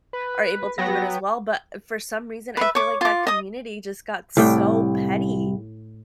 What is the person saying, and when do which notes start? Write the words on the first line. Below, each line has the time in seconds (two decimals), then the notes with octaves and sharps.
are able to do it as well, but, uh, for some reason, I feel like that community just got so petty.
0.13 B4
0.78 F#3 B3 G5 A#6
2.57 B4 E5
2.75 C#5 D6
3.01 F4 D6
3.27 D#5 D#6
4.37 C2 A2 D5 G5